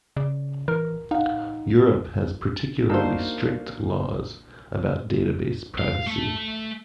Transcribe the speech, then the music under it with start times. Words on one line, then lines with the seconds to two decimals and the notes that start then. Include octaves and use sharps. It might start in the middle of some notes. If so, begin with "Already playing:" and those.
Europe has particularly strict laws about database privacy.
0.17 C#3 D5
0.68 E3 A#4
1.11 D#4 F5 F#5
2.89 A#3 D4 D#4 F#4 A4 A#4 C5
5.78 F5
6.07 A3